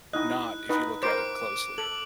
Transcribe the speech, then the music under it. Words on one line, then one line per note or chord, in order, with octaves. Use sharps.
not if you look at it closely.
D#4 E4 D#5 F#6
D#4 B4 D#5
A#4 C5 D6 D7
A4 F#7